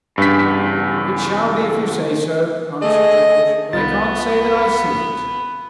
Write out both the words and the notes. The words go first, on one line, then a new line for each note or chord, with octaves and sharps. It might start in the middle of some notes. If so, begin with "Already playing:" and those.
'It shall be if you say so,' answered George; 'but I can't say that I see it.'
E2 G2 C#3 B6
A3 G#4 D#5
C2 B3 F4 A6